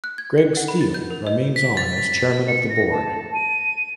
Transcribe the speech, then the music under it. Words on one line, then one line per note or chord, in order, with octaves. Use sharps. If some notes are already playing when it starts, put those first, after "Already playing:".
Greg Steil remains on as chairman of the board.
F#6
G#6
C#7
F#5
B5
A6
G6
A#4
D#5
B6
A6
C#7
A#6
A5
D#7